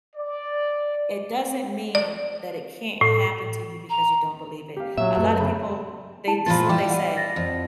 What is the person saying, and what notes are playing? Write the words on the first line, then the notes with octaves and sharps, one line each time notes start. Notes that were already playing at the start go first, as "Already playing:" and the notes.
it doesn't mean that it can't happen to you because you don't believe it. A lotta people, they this is what they say.
D5
D5
A2
A#5
G4 F5
A#2 F#3 E5
F#2 A3 A4 B4
C#3 B5
E4 A5
A#2 F3 F4 B5 A6
G3 D4 E4 G5 D6
F#5 D#7
A6 A#6
F2